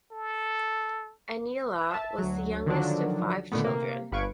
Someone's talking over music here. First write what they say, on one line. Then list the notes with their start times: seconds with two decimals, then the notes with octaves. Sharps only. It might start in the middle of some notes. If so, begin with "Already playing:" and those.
Aniela was the youngest of five children.
0.11 A4
1.91 E5 A5
2.18 D2 F#3
2.66 D3 D#3 F3 F#3 D4
3.52 A#2 D3 D#3 A3 B3
3.64 C3 A#3
4.12 G1 B4 F5 C#6 G#6 D7